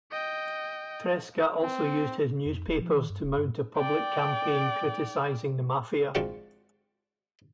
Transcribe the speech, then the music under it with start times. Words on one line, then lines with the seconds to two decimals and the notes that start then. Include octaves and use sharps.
Tresca also used his newspapers to mount a public campaign criticising the Mafia.
0.12 D#5 G5
1.62 C4
2.46 F2
2.67 E1
2.81 F3
2.95 D#3
3.10 G2
3.24 E1
3.38 G2
3.76 D5 G5
6.15 G#2 F3 C4 D4 F#4 F#5